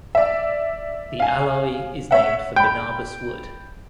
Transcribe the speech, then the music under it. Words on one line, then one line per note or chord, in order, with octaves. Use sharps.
The alloy is named for Barnabas Wood.
D5 E5
F5 G#5
C#5 E5 F#5
G5 B5